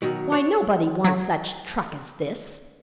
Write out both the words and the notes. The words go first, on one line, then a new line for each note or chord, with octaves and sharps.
Why, nobody wants such truck as this.
B2 D#3 F#3
C#5
F#3